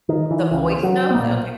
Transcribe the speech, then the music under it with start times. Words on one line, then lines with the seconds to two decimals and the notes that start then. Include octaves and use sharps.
the voice notes? Okay.
0.09 D#3
0.31 E3
0.51 C#2 C#3 E3
0.83 F#3
1.11 B3
1.14 B1 A#2 A#3